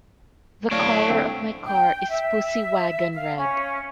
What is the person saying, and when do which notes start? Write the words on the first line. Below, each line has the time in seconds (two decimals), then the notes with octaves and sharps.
The color of my car is pussy waggon red.
0.71 A2 D4 C#5 F5
1.09 D3 A3 C4
1.66 G5
2.09 E5
3.13 F5
3.37 C#4